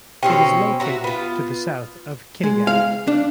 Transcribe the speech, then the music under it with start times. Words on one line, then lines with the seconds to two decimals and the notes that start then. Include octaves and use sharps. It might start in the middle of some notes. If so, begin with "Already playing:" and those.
It is located to the south of Kinnegad.
0.23 B2 C4 C#4 G4 G5
0.80 F#4 E5 A#5
1.04 B3 F4
2.43 G#3
2.67 F5
3.07 D4